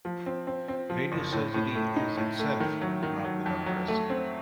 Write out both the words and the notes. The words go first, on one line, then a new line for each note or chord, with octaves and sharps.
Radiosurgery is itself not without risk.
F3
C4
C4
C4
F3
F#1
A2
A2
A3
D#4
A2
A3
D#3
F#3
D#3
F#3
F2
F#3
A3
C4